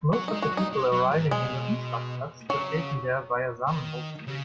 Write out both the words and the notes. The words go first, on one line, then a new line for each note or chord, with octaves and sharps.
Most of the people arriving in the Umschlagplatz were taken there via Zamenhof Street.
F#3 F#4
G#3 D#4
F#4
F#3
D#4
G#3
F#3
G#2
B2 G#3
C#3 F#3
D#3
C#3